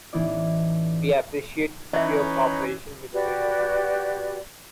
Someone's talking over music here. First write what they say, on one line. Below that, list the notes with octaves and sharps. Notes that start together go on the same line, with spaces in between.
We appreciate your cooperation Mr Doe.
A1 E3 B3 D#4 E4 D5
E3 C#4 D#4 B4 C#5 D#5 E5
F#4 G4 B4 D5